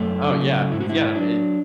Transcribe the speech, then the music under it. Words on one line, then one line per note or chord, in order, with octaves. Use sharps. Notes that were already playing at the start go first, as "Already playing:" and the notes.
Oh, yeah, is yeah, i
Already playing: F#2 A3
C#3 F#3
G#2 E4
F#4
E4
F#3 D4